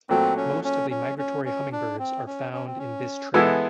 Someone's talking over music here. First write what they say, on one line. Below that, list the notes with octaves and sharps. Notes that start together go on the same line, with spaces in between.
Most of the migratory hummingbirds are found in this tribe.
A#2 F#3 A3 C4
C#4
C#4
C#4
C#4
C#4
D4
C4
C#4
C#4
C4
C#4
E3 G#3 B3 E4 A4